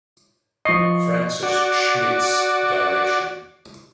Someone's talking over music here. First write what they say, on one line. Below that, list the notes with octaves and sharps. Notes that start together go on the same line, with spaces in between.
Francis Schmidt's direction.
F3 D#5 C#6 C7
F#4 D5